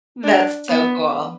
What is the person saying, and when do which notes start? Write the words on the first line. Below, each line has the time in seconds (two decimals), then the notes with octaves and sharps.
That's so cool.
0.24 D4
0.69 B3